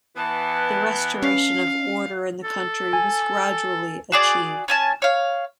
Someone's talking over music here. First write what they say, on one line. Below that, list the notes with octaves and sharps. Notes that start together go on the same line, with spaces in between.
The restoration of order in the country was gradually achieved.
E3 B3 A5
C#4 F5
A4
G#5
F#4 G#4 D5
C#4 G#5 A5
C#5 F5